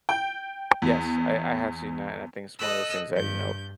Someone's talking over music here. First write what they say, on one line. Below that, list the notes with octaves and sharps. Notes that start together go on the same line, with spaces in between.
Yes, I I have seen that, and I think it's one of those things that, you know
G5
E2
A4 D#5 D#6 E6 F#6
G2 G6